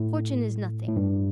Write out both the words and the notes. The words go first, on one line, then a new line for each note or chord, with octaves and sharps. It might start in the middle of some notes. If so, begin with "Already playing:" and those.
Fortune is nothing.
Already playing: A2
A2
G2